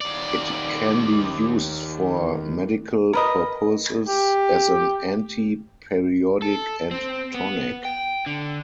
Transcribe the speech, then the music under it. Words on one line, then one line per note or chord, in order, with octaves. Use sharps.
It can be used for medical purposes as an anti-periodic and tonic.
D#2 D5
A#4 B4 D#5
G4
A4
C4
B3
G5
D3